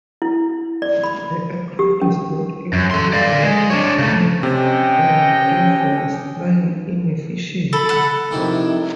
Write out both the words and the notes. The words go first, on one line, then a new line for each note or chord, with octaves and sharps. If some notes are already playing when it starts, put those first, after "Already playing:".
The aircraft is not in coordinated flight and therefore is flying inefficiently.
E4
D5
B5
G4
C#4
F#2
A4 C6
D5 F5
G#3
D4 C#5
C#3 A3
C3 C#4 C#5 D#5 G5
A4 B5
A4 F#5
F2 C3 D#3 D#4 E4